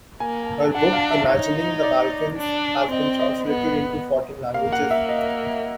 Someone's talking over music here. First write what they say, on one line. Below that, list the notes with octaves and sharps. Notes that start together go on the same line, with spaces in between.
Her book "Imagining the Balkans" has been translated into fourteen languages.
A#3 G#5
D4 F#5
F5
E5
D#4 C#5
D5
D4
C4 D#5
D#5
D#5
B3
A#3 F5
F#5
E5
D#5